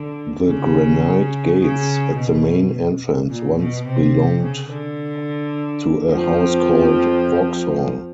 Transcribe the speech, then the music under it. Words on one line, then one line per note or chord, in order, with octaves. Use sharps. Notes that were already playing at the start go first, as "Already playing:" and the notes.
The granite gates at the main entrance once belonged to a house called Vauxhall.
Already playing: D3
C#3
C#3
B2
A#2
B2
C3
C#3
D3
F2 F3